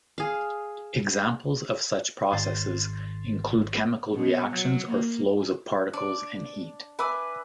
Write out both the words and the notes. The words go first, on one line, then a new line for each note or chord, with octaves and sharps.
Examples of such processes include chemical reactions or flows of particles and heat.
G#4 F5
G#1 C6 A6
B2
F#3
A#3
D4 D5
B4 E5 G#5 D6